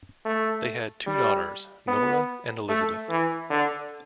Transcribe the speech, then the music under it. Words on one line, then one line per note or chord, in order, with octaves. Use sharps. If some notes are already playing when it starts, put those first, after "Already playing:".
They had two daughters, Nora and Elizabeth.
A3
G3
B3
A3
E3
D3